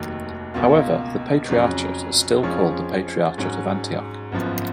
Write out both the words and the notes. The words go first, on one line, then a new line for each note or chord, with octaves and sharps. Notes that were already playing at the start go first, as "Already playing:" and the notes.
However, the patriarchate is still called the Patriarchate of Antioch.
Already playing: F1 D#2 D#3 F#3
C#2 B2 A#3 F4
F2 C#3 F#3 C#4
F2 F3 G#3 C#4 F4
G#2 F#3 C#4
G#1 F#2 F3 B3